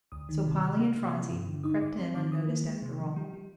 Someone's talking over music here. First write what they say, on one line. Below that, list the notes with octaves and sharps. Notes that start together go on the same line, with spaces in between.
So Polly and Phronsie crept in unnoticed after all.
D2 D#6
D#3
C3
C3 F6
A#3
C3
G3
G2
D3
D#4 D#6
G#2 D6
C4 C6
D#3 D6
D#3 D#6
A#3
G#3
C3
F3
G3
G3